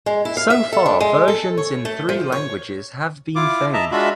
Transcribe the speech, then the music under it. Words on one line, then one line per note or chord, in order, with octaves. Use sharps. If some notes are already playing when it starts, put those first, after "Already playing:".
So far versions in three languages have been found.
G#3
E4
F5
E5
A4
D4
G#3
A4
C#5
A3
F3
C#5
E4 F4 D6
D#5 E5 A5 A#5
G#3 D4 F4 F#4 E5 B5